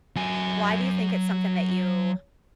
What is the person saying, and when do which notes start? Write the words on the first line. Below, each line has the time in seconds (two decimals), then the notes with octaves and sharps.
Why do you think it's something that you
0.16 F#3 G#5